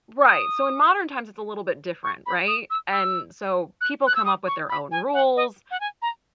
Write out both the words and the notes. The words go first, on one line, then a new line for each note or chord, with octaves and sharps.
Right, so, in modern times it's a little bit different, right, and so people come up with their own rules,
C#6
D#6
C#6
B5
D#6
E6
E6
F#6
F#6
E6
D#6
C#6
B5
G#5
F#5
D#5
F#5
G#5
A#5